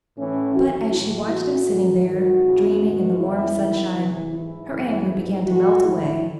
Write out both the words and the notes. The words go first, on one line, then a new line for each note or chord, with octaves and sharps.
But as she watched him sitting there, dreaming in the warm sunshine, her anger began to melt away.
A2 E3 C#4
F#2 D#3 F#4
A2 E3 E4
A2 E3 F#4
A2 E3
G#2 D#3 F#4
E2 C#3 E3
G#2 D#3 F#4
E2 C#3 E3 E4
E2 D#3
E2 C3 E3
G#2 E3 E4
F#2 C#3 E3
G#2 E3
A2 E3 F#4
A2 E3 E4